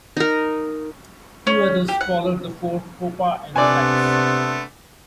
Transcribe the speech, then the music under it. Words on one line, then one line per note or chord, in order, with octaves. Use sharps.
Two others followed the four, Poppa and Flex.
D#4 A#4
C#4
G4
F#5
C3 A3 B3 D4 D5 G#5 C6